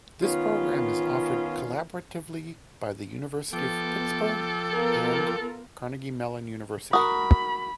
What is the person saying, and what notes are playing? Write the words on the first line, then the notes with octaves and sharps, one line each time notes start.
This program is offered collaboratively by the University of Pittsburgh and Carnegie Mellon University.
D#3 B3 C#4 F4
F3 B3 A4 G5 D6
B3 F4 A#4
F#4 A#4 B5 D#6